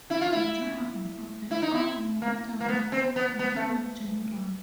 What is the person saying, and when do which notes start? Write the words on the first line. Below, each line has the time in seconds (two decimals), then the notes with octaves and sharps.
He retired from the army with the rank of lieutenant general.
0.10 E4
0.21 F4
0.32 E4
1.51 E4
1.62 D#4
1.74 E4
2.22 A#3
2.60 A#3
2.68 B3
2.92 C4
3.16 B3
3.39 B3
3.56 A3